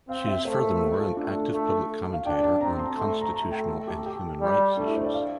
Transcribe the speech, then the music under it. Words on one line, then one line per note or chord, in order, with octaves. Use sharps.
She is furthermore an active public commentator on constitutional and human rights issues.
C4 F5
E5
A3 C5
A#4
A4
F4
A3 D4
A4
A3
F5
D4 G5
A5
C4 A#5
C6
A3 C6
C6
A#5
A3 A#5
G5
A4
G4
G4
G3
A3 D4
E4
C5
D5
F5